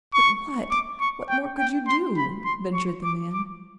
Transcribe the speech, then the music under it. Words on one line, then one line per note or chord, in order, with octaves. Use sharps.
"But what--what more could you do?" ventured the man.
C#6
D6
C#6
G5
G5
C6
B5
C6
C#6
D6
D6